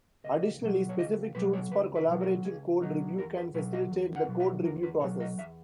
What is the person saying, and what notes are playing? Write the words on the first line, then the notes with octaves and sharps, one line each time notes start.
Additionally, specific tools for collaborative code review can facilitate the code review process.
C#2 D#5
B2 F#3
C#5
C#2 D#5
B2 F#3 B4
C#5
C#2 B4
B4
B2 F#3
A#4
C#2 G#4
B2 F#3 D#4
E2 A#4
B4
B2 F#3 B4
D#5
E2
F#5
B2 F#3
E5
E2 A#4
B4
B2 F#3 C#5
D#5
E2 E5